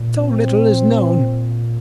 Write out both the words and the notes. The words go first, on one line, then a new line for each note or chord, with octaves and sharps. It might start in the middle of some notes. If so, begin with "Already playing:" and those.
"So little is known."
Already playing: A#2
C4